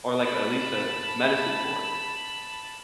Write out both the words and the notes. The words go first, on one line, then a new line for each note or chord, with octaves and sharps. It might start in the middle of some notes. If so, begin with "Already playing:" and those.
Or, like, at least a medicine for it.
A5 B5